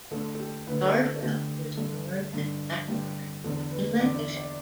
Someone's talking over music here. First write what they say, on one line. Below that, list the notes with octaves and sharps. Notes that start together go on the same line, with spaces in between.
Cardwell was born at Blackburn in Lancashire.
D2 D3 A4
A4
G4
D2 D3 B4
A4
A4
D2 D3 G4
G2 D3 A4
G2 D3
G2 D3 G4
E2 D3 A4
B4
E2 D3 D5
E5
D5